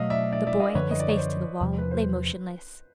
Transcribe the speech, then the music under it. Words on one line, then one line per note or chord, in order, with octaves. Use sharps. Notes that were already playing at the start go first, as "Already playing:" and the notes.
The boy, his face to the wall, lay motionless.
Already playing: B2 F#3 A3 D#5 F5
D5 E5
D5 E5
D5 E5
D#5 F5
F#2 D3 F3 B4 C#5
D#5
D5
C#5
C5
E2 C3 F3
B4
C5